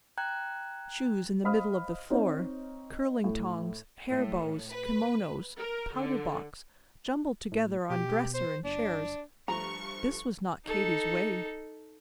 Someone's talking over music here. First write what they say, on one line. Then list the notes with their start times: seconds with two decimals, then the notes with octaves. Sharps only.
Shoes in the middle of the floor, curling tongs, hair bows, kimonos, powder box, jumbled together on dresser and chairs--this was not Katy's way.
0.18 G5 A#5 F#6 G#6
1.44 C5 D#5 F5 B5 D#6 F6
2.10 C4 D#4 C#5
3.24 A2
4.09 A2
4.70 B4
5.58 A#4
5.94 D3
7.52 A2
7.90 B2 G4
8.34 C5
8.65 G1 D4
9.48 G2 F3 A3 A#5 C#6
10.65 D#4 A4